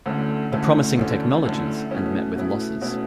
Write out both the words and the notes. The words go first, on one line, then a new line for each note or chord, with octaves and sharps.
The promising technologies and met with losses.
D2 D3 A3 C#4 E4
D2 D3 A3 C#4 E4
D2 D3 A3 C#4 E4
D2 D3 A3 C#4 E4
B2 A3 C#4 E4
B2 A3 C#4 E4
B2 A3 C#4 E4